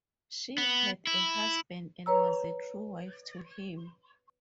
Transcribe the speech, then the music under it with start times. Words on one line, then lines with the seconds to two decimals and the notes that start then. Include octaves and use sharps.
She had a husband and was a true wife to him.
0.58 B3
1.07 E4
2.06 B4 C#5 A#5 E6